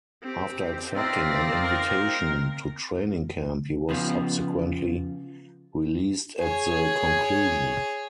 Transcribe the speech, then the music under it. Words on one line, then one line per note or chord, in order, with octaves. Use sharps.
After accepting an invitation to training camp he was subsequently released at the conclusion.
C4 G4
C4 D#4 F4 D5 E5 F5 A#6
A#4
C#3 F3 B3 F4
G#4 C#5